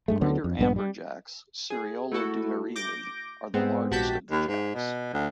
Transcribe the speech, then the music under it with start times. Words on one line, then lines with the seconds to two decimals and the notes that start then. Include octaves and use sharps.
Greater amberjacks, "Seriola dumerili", are the largest of the jacks.
0.08 G2 G#3 A3
0.21 D2 D3 F#3 B3
0.44 F2
0.59 A#1 G2 B3
0.76 G3
1.70 G#4
2.12 A3 E4 F#4 A4
2.76 D6 G6 A#6 D7
3.54 G#2 G#3 B3 C4
3.91 A#1 F#4 G4 A5 G6 B6
4.31 D#2
4.48 G#2
4.75 B2
5.13 D2